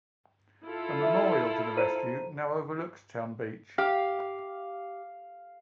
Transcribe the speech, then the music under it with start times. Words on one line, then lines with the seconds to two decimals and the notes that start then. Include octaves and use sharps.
A memorial to the rescue now overlooks Town Beach.
0.66 E4 F4 A4
1.02 E5
1.77 C5 A#5 D#7
3.78 G4 F5